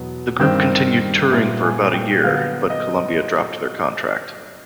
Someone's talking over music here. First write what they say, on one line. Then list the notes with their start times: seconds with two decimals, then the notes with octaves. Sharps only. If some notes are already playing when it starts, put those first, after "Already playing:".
The group continued touring for about a year, but Columbia dropped their contract.
Already playing: E2 B2 F#3 B3
0.40 G2 D#3 G3 C4
1.32 A#2 G3 B3 E5
1.63 G#5
1.94 G5
2.24 D3 F#3 B3 F5
2.70 D#5